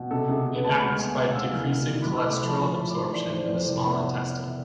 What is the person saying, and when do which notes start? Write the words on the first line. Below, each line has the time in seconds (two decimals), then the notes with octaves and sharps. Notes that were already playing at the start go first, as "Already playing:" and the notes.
It acts by decreasing cholesterol absorption in the small intestine.
Already playing: B2
0.11 C3 A4
0.29 C3 G#4
0.46 C3 A4
0.55 B4
0.64 D2 A5
0.73 B5
0.82 G#3 C6
0.99 B3 G#5
1.17 B3 F5
1.35 B3 E6
1.53 C2 F6
1.71 B2
1.89 C2
2.02 B5
2.06 C2 C6
2.16 E6
2.24 A3 D6
2.36 B5
2.42 F3
2.48 A5
2.59 F3 B5
2.67 A5
2.75 F3 B5
2.90 D6
2.95 A3 C6
3.13 E3 D5
3.31 E3 C5
3.44 D5
3.49 F2 C5
3.66 C2 D5
3.84 B3 E5